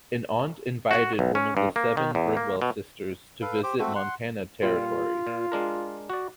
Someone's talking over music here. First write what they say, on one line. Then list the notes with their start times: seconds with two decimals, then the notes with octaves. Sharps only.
An aunt invited one of the seven Bridwell sisters to visit Montana Territory.
0.91 F#4
1.19 B1
1.35 C#4
1.57 G2
1.76 A#3
1.97 D#3
2.15 E2
2.37 A#3
2.62 B2
3.42 A4 B4 F5
3.63 G4 C5 D6
3.79 A3 C4 F#4 A4
3.95 F#5 C6
4.62 A#2 G3 F4
5.27 A#2
5.52 G#3 D4 A#4
6.10 F#4 D5